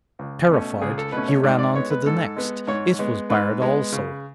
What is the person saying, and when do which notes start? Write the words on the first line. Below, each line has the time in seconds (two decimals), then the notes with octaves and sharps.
Terrified, he ran on to the next; it was barred also.
0.19 C#2
0.50 B2 A3 C#4
0.82 C#2 G#4
0.98 A4
1.12 B2 A3 C#4 B4
1.28 C#5
1.44 G#2 D5
1.59 D5
1.74 G#3 B3 C#5
1.91 B4
2.06 G#2 A4
2.37 G#3 B3
2.67 G#2 C#5
2.99 G#3 B3
3.30 G#2 B4
3.61 G#3 B3
3.92 C#3